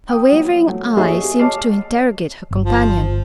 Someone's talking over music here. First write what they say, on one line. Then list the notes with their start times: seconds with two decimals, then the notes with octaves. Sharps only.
Her wavering eye seemed to interrogate her companion.
0.09 G5 D#6
0.32 F#3 B3
0.68 F#3 A3
0.97 F#4 G#4 A4 C#5 D#5 E5
1.39 C#5 D#5 A5 D6 F6 C7
2.51 G1
2.64 F3